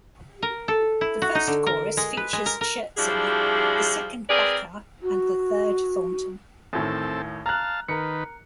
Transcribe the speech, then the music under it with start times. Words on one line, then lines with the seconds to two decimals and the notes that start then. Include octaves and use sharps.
The first chorus features Scherzinger, the second Bacar and the third Thornton.
0.42 A#4
0.68 A4
1.01 E4
1.22 F#4
1.35 D#4
1.47 D3
1.66 A#4
1.97 G#3
2.17 B4
2.33 G#3
2.46 A#4
2.61 A#4
2.97 F3 G3 D4 E4 F#4 G#4
4.30 C4 G#4 A#4 B4 D5
5.03 F#4
6.73 A1 A2 D#3 C4 A4
7.46 F5 A5 A#5 F6 F#6
7.88 D#3 A#4 B4 C#7